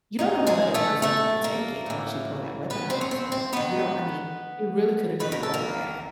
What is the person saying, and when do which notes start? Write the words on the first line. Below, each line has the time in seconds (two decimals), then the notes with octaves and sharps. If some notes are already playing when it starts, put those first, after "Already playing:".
you don't know how the other person's gonna take it once you pull that weapon out on someone, you don't I mean, it really coulda been a bloodbath,
0.19 F#2 D3 D#3 D#4
0.47 G#3 G#4
0.74 A3 A4
1.02 A3 A4
1.44 A#3 A#4
1.86 A2 E3
2.70 B3 B4
2.90 C4 C5
3.01 C#5
3.11 C4 C5
3.32 C4 C5
3.52 G#2 D#3 B3 B4
5.20 F#2 D#3 B4
5.32 A#4
5.43 A4
5.54 A#3 A#4